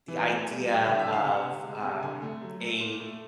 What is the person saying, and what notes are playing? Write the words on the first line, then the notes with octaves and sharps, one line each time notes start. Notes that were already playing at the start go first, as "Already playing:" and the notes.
the idea of, um, a
E3
A3
G3
G3
D3 D5
E5
D3
F5
C3 F#5
C3
G#3
C3
D3 G#5
A3
F#3
A3
A#2
A3